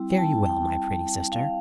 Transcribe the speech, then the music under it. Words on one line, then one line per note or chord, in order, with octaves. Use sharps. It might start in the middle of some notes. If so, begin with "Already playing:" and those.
Fare you well, my pretty sister.
Already playing: G3 C4 E4
G5
A5
G5
F5